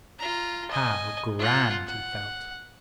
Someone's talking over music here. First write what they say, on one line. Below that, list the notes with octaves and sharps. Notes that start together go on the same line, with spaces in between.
How grand he felt!
F4 A#5
D#5 G#5
F4 F#5
F#5